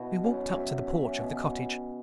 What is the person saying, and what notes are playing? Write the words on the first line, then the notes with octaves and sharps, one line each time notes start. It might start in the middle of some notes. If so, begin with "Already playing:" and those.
We walked up to the porch of the cottage.
Already playing: B2 E4 F#4
F#3 C#4
F#3 E5
F#3 E5
B2